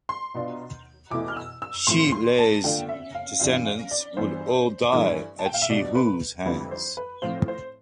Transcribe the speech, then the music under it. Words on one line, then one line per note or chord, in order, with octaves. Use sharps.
Shi Le's descendants would all die at Shi Hu's hands.
C6
B2 B3 D4 F4
E2 B2 A3 E4 D6
F6
E6
E6
A2 F3 C4 E4 C6
C6
A5
D3 A3 D4 F4 G5
E5
F5
G2 E3 G3 C4 F4 F5
F5
D5
G2 E3 B3 C5
G2 E3 A3 E4
A5
G5
F5
E5
B2 G3 D4 D5
B4
F2 D3 G3 C4 E4 B4
C5
B4
A2 F3 C4 F4 C5
C5